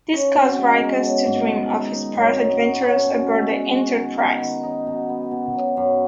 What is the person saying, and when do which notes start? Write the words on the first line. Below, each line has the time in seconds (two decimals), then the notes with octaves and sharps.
This causes Riker to dream of his past adventures aboard the "Enterprise".
0.13 C#4
0.35 B2
0.58 G#3
0.80 B2
1.03 F#3
1.25 G#2
1.48 D#3
1.71 D#4
1.93 D#4
2.16 F#2
2.38 F#3
2.61 F#4
2.83 C#4
3.06 B2
3.28 G#3
3.51 F#4
3.73 F#4
3.96 D#3
4.19 B3
4.41 D#3
4.63 D#4
4.87 B2
5.09 B3
5.31 B2
5.53 F#3
5.77 F#2